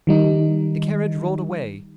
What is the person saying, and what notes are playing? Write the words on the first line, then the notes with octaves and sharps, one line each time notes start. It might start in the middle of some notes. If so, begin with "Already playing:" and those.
The carriage rolled away.
D#3 G3 D#4